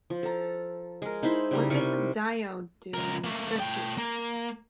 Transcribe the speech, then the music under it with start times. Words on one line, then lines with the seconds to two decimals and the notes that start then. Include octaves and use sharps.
What does a diode do in a circuit?
0.10 F3
0.23 A4 A#5
1.02 G#3 A#4
1.23 D#4 E4 C5 B5
1.51 C#3 G3 A#5
1.70 C3 G3 A#4 C#6
2.94 C#2 A#4
3.24 A3 A#3
3.60 A3 G5
3.98 A#3